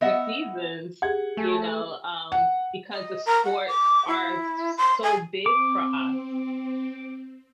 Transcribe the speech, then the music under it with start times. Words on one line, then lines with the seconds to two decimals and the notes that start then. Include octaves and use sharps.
for seasons, you know, um, because the sports are s s so big for us,
0.01 B3 D#5 E5 F#5
1.02 G4 G#4 F#5 G#6
1.37 A3 G#5
2.32 F#5
2.92 D#5
3.26 A#4
3.45 F#5
3.68 D6
4.08 E4
4.77 C6
5.03 G#5
5.46 C4 D6